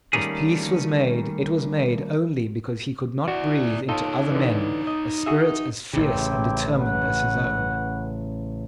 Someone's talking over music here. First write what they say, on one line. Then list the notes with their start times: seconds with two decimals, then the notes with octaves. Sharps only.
If peace was made, it was made only because he could not breathe into other men a spirit as fierce and determined as his own.
0.13 D#3 G3 A3 A#3 C#4 G#4
3.28 E4 F#4 D5
3.89 D#4 F4 A4 C#5 D#5
4.31 D3 E3
4.87 D#5
5.26 F#4 G#4 E5
5.93 A1 C#3 C4 E4 G4
6.78 F#4 B4 F#5